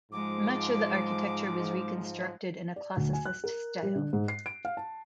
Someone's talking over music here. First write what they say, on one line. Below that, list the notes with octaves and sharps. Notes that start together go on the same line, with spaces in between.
Much of the architecture was reconstructed in a Classicist style.
G#2 F3 G#3 D6
D5
D2
G#5
F#6
A#4
G3
D3
G#2
C7
D7
F5
A5